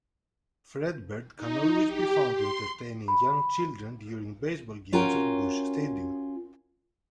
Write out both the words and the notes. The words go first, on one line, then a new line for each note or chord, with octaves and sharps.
Fredbird can always be found entertaining young children during baseball games at Busch Stadium.
D#4
G4
C6
B5
C#4 F4 F#4 A#4 C#5 G5